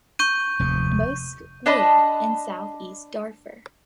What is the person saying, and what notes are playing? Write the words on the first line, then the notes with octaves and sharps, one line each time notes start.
Most live in southeast Darfur.
C#6 G6 D#7
F1 D#2 G#2
D4 D#5 A5 B5